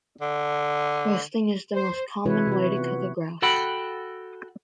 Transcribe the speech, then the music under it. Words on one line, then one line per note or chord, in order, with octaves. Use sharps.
Roasting is the most common way to cook a grouse.
D3
C5
C3 E3 E4 F#4 B4 C#5
C3 F#4
B3 F4
F#4 A4 F#5 G5 B5